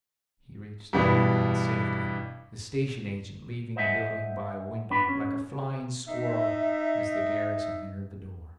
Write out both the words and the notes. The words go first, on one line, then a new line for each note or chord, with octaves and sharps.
He reached the haven in safety, the station agent leaving the building by a window, like a flying squirrel, as the garrison entered the door.
G2 B2 E3 D4
C5 D#5 E5 F#5 G#5
B3 D4 B5
C#4
D#4 E5